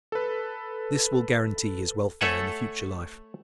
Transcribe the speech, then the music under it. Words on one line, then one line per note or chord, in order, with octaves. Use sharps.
This will guarantee his welfare in the future life.
A4 B4
A3 A4 C#5 E5 F#5 G#5